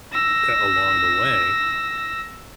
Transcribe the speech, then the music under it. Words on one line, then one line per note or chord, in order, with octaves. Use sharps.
uh, along the way
E6 A#6